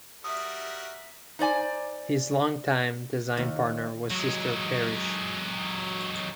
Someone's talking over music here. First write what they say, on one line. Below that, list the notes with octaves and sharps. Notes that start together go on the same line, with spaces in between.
His long-time design partner was Sister Parish.
G3 F#4 A#4 E5 D#6
D#4 C5 D5 G#5
D#2
F#3 G#3